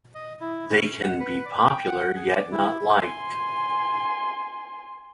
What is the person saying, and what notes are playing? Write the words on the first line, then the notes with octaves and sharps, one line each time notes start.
They can be popular yet not liked.
D#5
E4
C#4
F#5
B4
D5
G5
F#5
G#4
D5
E4
G#5 C6